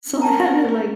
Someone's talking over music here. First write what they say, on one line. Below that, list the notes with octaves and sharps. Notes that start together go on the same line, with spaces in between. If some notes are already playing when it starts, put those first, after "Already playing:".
so I had to, like
C#4 A#4 G5 A5 A#5